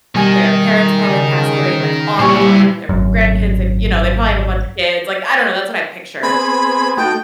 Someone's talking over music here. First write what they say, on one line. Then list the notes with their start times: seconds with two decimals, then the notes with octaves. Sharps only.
their parents probably passed away, like on the farm, their grandkids, they you know, they probably have a bunch of kids, like, I don't know, that's what I picture,
0.15 B2 D#3 G3 G#5
1.04 C#3
2.19 A#2 G3 E4 C5 G#5 C#6
2.89 G#1 F#2
6.23 B3 C4 G#4 B5
6.97 A3 D#4 F#4 G5